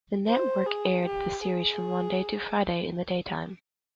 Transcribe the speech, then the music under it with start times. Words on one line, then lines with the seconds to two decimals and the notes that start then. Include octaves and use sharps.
The network aired the series from Monday to Friday in the daytime.
0.28 C5
0.66 G#4
1.06 G4
1.44 G#4